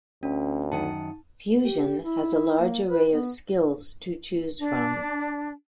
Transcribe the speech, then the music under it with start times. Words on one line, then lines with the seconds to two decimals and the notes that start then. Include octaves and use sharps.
"Fuzion" has a large array of Skills to choose from.
0.23 D2 C#4
0.72 F#2 D#3 F#5 A5
1.64 G4
2.04 E4
2.60 A#3
2.89 B4
3.12 B3
4.60 D4